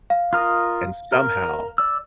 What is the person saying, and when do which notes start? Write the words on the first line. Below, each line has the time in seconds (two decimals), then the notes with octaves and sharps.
And somehow
0.10 F5
0.33 F4 A#4 D#5
1.12 A#4
1.78 D5 E6